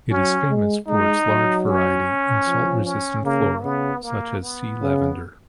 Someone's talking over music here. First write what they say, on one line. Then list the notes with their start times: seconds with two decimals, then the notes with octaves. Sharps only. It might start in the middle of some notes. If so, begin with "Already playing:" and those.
It is famous for its large variety in salt-resistant flora, such as Sea lavender.
0.10 F#3 C#4
0.50 G#3
0.88 G#3 D#4
1.28 F#3
1.66 C#4
2.46 F3
2.85 C#4
3.24 C#3 A#3
3.64 C#3 B3
4.03 A#3
4.41 B3
4.82 C#3